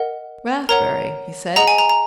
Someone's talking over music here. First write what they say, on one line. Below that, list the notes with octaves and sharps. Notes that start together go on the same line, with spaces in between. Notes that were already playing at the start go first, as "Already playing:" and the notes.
"Rathbury!" he said.
Already playing: A#4 D#5 F#5
A#4 C#5 F#5 A#5
G#4 D#5 F#5 A#5
G#5
A#5
A#5